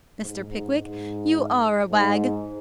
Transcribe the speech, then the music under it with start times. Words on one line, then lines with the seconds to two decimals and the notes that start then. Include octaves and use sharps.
Mr. Pickwick, you are a wag.
0.21 G#2
0.48 G#2
0.77 G#2
1.91 G#2